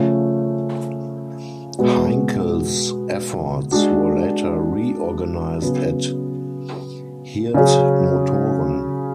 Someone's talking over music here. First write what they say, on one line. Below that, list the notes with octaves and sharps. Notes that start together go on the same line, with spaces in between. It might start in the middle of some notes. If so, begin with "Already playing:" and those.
Heinkel's efforts were later re-organized at Hirth Motoren.
Already playing: C#3 F3 A3 C#4 F4
B2 G#3 B3 F#4
G#3 D4 F#4
C#3 F#3 B3
C#3 F#3 C#4 G#4